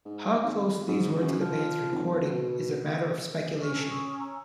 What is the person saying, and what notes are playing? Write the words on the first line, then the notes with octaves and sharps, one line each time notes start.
How close these were to the Band's recording is a matter of speculation.
G#2
G#1
G#2
F#2
F3
G#1
B2
C#4 G#4 C#6 F6
A5 E6
C#6 D#6
A#5 E6